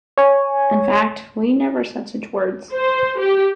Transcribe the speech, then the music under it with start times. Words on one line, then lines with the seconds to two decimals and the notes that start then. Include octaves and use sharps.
In fact, Li never said such words.
0.18 C#5 G#5
2.73 C5
3.20 G4